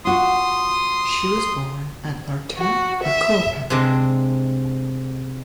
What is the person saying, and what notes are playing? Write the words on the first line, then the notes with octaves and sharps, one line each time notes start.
She was born at Larteh Akuapem.
F4 F#4 C6 D#6
F#4
E5
C3 G#3 C4 D4